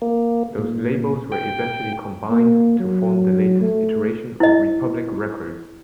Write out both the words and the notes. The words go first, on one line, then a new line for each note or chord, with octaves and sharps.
Those labels were eventually combined to form the latest iteration of Republic Records.
A#3
A#2
G5
A#3
F#3
A3
E4 D#5